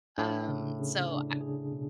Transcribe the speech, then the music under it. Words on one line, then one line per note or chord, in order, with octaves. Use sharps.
Um, so I
A2 D4
C#3
C#3
D4
G#4
B2